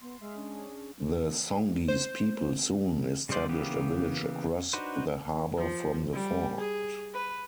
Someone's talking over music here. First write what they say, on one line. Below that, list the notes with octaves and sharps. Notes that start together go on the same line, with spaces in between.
The Songhees people soon established a village across the harbour from the fort.
B3 C6
G#3 E5 C6 F6
C#4 D4 G#4
C5
C#3 G3 G#3 C5 D5
C#3 E3 A#3 B3 G4
D4 D#4 F#4 B4 C5
F3
G3
G#4
B4